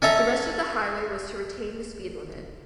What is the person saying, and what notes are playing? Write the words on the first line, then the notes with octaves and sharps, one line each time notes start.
The rest of the highway was to retain the speed limit.
C#4 A4 E5 A#5